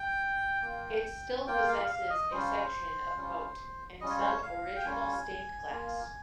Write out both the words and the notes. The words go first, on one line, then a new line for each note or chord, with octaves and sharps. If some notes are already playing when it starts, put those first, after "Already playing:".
It still possesses a section of moat and some original stained glass.
Already playing: G5
A#3 F4
A#3 F4 G5
F5
F5
D#5
G3 C#4 F4 C5
G3 C#4 F4
G3 C#4 F4 D#5
C#5
C5
C#5
F5
G5
G3 C#4 F4 G#5
A#3 F4